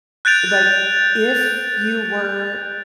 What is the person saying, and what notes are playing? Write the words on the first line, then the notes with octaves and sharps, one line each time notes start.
like, if you were
F#6 G6 A6 D7 F7